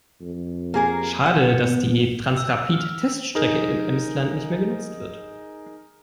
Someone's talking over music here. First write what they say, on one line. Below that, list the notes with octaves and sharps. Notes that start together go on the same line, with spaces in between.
Schade, dass die Transrapid-Teststrecke im Emsland nicht mehr genutzt wird.
F2
A#3 G#4 A#4
F#5
B3
E6
F6
D#4 G#4 A#4